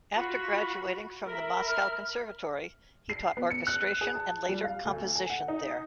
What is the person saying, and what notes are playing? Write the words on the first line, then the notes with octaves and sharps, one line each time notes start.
After graduating from the Moscow Conservatory, he taught orchestration and later composition there.
F4 F#4 B5
A#4 E5 B5
F6
C7
B3
C#7
F#6
G#4
A5
G3
F5
D2
G#5
F#5
D#4